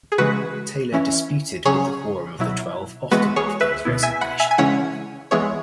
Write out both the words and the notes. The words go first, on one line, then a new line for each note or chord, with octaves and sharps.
Taylor disputed with the Quorum of the Twelve often after his resignation.
G#4
C#3 E3 G#3 F#4 B4
E3 C#4 E4
C#3 F#3 C#4 G#4 C#5
B2 F#3 E4
E3 G#3 B3 F#4 B4
G#4 C#5
B4 E5
B2 B3 E4
E5 G#5
F#5 B5
E5 G#5
G#5
C#3 E3 G#3 C#4 E4 C#5 F#5
E3 G#3 B3 E4 G#4 C#5